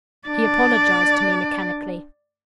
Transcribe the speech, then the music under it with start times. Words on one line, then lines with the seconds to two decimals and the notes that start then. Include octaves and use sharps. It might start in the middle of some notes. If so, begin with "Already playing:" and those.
He apologized to me mechanically.
0.28 D4 D5